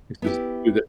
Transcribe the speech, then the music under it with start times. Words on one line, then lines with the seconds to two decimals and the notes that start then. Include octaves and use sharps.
Because do tha
0.22 B3 E4 G4